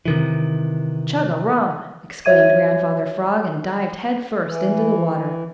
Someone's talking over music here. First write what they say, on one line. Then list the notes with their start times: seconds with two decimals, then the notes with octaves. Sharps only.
"Chug-a-rum!" exclaimed Grandfather Frog and dived head first into the water.
0.05 C3 D#3 E3
2.25 F#4 C#5 E5 G#6 D#7
4.45 E3